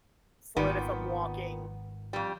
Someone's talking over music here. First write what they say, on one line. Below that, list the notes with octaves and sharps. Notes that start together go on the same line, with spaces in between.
foot, if I'm walking,
G#1 A#2 D#3 B3
F2 G3